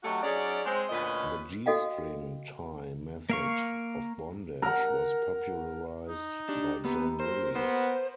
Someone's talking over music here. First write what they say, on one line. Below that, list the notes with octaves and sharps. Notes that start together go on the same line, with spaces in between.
The g-string tie method of bondage was popularised by John Willie.
F#3 A3 C#4 D#4 F#4 G4
F#3 C#4 D#4 G#4 D5
G#3 C4 C5
D2 A#2 C#4 B4 D#5
F#4 A4 D#5 F5 G5
A#3 F5 C#6
A#4 F#5
D#4
D4 G4
A#3 B3 G4 A#5
A#4 C5
B3 C5